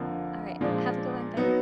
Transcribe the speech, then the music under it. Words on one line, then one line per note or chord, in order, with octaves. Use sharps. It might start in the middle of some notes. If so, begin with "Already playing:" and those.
Alright, have a good one, bye.
Already playing: F2 D3 F3 A#3
A#2 F3 G#3 D4
F#3 B3 D#4